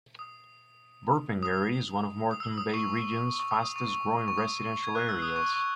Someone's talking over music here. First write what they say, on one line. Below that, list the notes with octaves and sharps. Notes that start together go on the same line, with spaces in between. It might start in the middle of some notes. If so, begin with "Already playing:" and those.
Burpengary is one of Moreton Bay region's fastest growing residential areas.
D#6
D#6
D#6
E6
D#6
C#6
C#6
D#6
D#6
C#6
C#6
C#6
D#6
G#6
F#6
E6
D#6
C#6
C#6